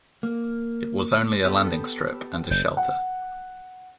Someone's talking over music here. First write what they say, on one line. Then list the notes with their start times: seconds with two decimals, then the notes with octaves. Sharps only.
It was only a landing strip and a shelter.
0.23 A#3
1.44 B3 G4 A4
2.51 F#1 G6
2.77 F#5